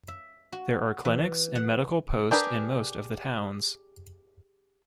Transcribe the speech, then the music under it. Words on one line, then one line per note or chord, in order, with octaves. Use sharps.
There are clinics and medical post in most of the towns.
E5
F#4
E3
F#5
D4 G4 G#4 A#4 B4